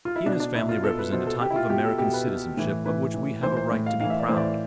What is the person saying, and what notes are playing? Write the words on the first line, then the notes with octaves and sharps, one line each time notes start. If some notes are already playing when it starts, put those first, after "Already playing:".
He and his family represent a type of American citizenship of which we have a right to be proud.
F4
E4
B2 D4
D4
B2 E4
F4
B2 A4
B4
B2 C5
A4
B2 G4
E4
F4
B2 G4
A4
B2 G4
B4
B2
A2 E3
A2 E3 B4
A2 E3
A2 E3 C5
C5
A2 E3
F5
A2 E3 F5
E5
D5
A2 E3 C5
D5